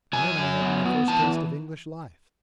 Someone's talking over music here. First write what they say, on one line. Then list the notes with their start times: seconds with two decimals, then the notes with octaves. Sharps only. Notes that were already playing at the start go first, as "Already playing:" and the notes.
And then I had my first taste of English life.
0.13 F#3 G#5
0.37 F#3
0.61 B3
0.85 B3
1.08 E3 A5